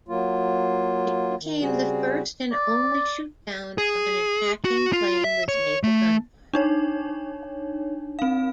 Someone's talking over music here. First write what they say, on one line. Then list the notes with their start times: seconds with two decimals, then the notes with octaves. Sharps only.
It became the first and only shootdown of an attacking plane with naval gunfire.
0.08 F#3 A#3 F4
1.41 D#3
1.61 C#3 G3 C4 F#4 G#4
2.52 D5
3.78 G#4
4.65 F#4
4.93 F4
5.24 E5
5.49 C#5
5.84 A3
6.53 D4 D#4 C#5
8.19 C4 F5